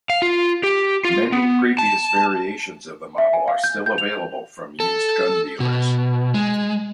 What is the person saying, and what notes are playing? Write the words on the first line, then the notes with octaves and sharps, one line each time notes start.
Many previous variations of the model are still available from used gun dealers.
F5
F4
G4
F4
B3
A5
E5
G#5
F5
G6
G6
F7
A4
B2
G#3